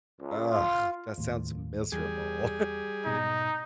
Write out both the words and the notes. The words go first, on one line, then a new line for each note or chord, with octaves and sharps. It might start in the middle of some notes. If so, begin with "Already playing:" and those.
Ugh! That sounds miserable.
C#2
F4
D#2 A2
E2 G3 G#4
G#2 B2 D#4